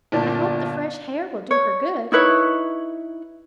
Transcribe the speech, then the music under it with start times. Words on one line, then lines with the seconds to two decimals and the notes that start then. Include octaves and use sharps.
"I hope the fresh h'air will do her good."
0.12 G1 A#2 D5 A5
1.51 C#5
2.12 D#4 E4 B4 C#5